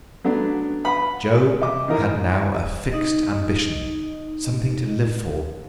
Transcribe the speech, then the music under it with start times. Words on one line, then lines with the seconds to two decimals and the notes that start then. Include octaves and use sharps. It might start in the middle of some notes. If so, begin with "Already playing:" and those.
Joe had now a fixed ambition--something to live for.
0.24 F#3 A3 B3 D4
0.84 B4 F#5 B5
1.33 G#4
1.62 D#5 E5 D6
1.88 D#3 E3 D#4 A#4
2.92 D#4 D#5